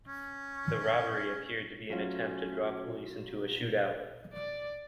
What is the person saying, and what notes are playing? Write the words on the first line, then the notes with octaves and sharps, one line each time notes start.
The robbery appeared to be an attempt to draw police into a shootout.
C#4
F#3 A3 C#4 F4
D5